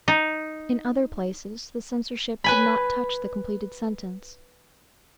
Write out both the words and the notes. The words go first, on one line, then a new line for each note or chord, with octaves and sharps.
In other places the censorship did not touch the completed sentence.
D#4
B4 G#5 B5